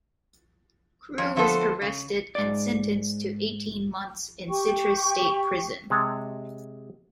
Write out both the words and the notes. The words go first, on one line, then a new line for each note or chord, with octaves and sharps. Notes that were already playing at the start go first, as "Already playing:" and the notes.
Crewe is arrested and sentenced to eighteen months in Citrus State Prison.
F2
D3 F3 A3 B3 A4 C5
C#3
G#2 D5
G4 G5 C#6
C3 G#3 C#5 A5 A#5